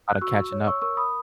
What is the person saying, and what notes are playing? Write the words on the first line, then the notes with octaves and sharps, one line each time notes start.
Lotta catching up.
F#6
F#4 C#6 E6
C#5
C#6 E6
A#4 C#6 E6
B5 D#6